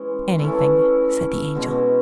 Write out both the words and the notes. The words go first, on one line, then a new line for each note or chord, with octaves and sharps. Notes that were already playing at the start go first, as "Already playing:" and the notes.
"Anything," said the Angel.
Already playing: E3 G#3 C#4
E3 A3 C#4
B2 G#3 C#4